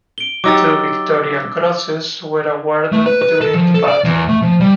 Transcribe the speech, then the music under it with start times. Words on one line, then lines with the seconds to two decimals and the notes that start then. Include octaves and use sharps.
Two Victoria Crosses were awarded during the battle.
0.18 D7 G7
0.44 F#3 D#4 G4 D6 E6 A6
2.92 A3
3.06 B4
3.22 B4
3.41 A4
3.54 F3
3.74 A4
3.87 D5
4.04 E2
4.29 A3
4.42 F3
4.60 G3